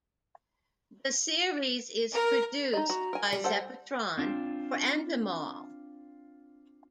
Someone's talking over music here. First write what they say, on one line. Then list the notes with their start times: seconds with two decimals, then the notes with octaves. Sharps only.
The series is produced by Zeppotron for Endemol.
2.14 A#4
2.73 D#4 D#5 A#5
2.90 F#4
3.13 A#4 G#5
3.32 G3 D5
3.44 A4 C5 F#5
4.18 C4 D4 F4